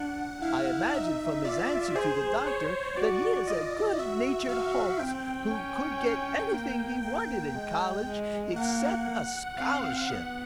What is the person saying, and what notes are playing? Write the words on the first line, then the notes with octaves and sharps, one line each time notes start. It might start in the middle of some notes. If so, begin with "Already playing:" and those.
I imagine from his answer to the Doctor that he is a good-natured hulks who could get anything he wanted in college except a scholarship.
Already playing: D4 F#5
E4 F5
D#4 E5
F4 D5
G#4 C5
C#5
F#4 D5
F4 D#5
F#4 E5
F#4 F5
C4 G5
C#4
A#3
A#3 G5
G#3
G#3
A#3 F#5
C4 F5
B3 F#5